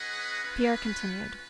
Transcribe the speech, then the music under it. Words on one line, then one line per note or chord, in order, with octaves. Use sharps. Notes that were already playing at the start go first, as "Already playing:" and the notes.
Pierre continued.
Already playing: C#4 G#4 B4 D#5 F#5
C#4 F4 B4